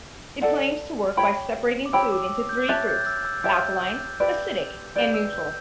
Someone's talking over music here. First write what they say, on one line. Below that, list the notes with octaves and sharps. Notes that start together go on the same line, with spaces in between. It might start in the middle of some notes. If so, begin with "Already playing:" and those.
It claims to work by separating food into three groups: alkaline, acidic, and neutral.
A4 D5 F#5
G4 C#5 G5 B5
D6
G4 C#5 G5 B5 E6
E6
D6
G6
G4 C#5 E5 A5 F#6 A6
G6
E6
E6
G4 C#5 E5 A5 G6
G4 B4 D5
G4 B4 D5 G6
E6
G6